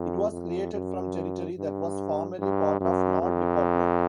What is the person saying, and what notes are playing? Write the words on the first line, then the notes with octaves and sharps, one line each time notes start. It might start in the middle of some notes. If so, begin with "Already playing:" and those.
It was created from territory that was formerly part of Nord Department.
Already playing: F2
F2
F#2
G2
G2
F#2
F2